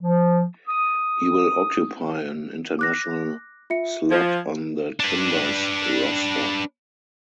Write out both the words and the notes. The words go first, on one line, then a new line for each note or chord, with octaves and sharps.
He will occupy an international slot on the Timbers roster.
F3
D#6
D6 F#6 A#6
F4 E5 C#7
F3 G#6
D4 B4